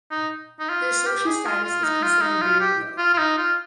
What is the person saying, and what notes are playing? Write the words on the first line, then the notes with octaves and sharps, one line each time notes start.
Their social status is considered very low.
D#4
D#4
F4
G4
G#4
F4
F4
D#4
F4
D#4
F4
G4
F4
F4
D#4
F4